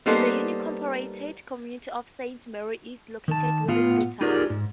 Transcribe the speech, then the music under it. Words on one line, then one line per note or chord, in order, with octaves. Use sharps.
The unincorporated community of Saint Mary's is located within the town.
G3 A#3 B3 D#4 A4 C5
D#3 A5
A2 B3 F4 F5 F#5
D#4 F4 G4 G#4 A#4 D5
G#2